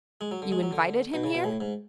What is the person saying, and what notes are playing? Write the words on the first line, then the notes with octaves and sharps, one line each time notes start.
You invited him here?
G#3
F#3
D3
G#3
F#3
D3
B2
C#3
B2
A2
G#2